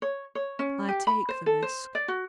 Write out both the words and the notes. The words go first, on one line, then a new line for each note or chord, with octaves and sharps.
'I take the risk.
C#5
C#5
C#4
G4
B5
C5
A4
C5
D5
F#4